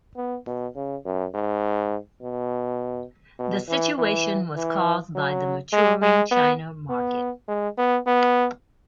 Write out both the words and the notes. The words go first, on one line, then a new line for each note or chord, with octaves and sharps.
The situation was caused by the maturing China market.
B3
B2
C#3
F#2
G#2
B2
B2
E3
E3
E3
F#3
G#3
G#3
B3
B3
G#3
B3
B3